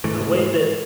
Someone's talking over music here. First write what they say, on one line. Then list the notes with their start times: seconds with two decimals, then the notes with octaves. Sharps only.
the way that
0.04 G#2 E3 A3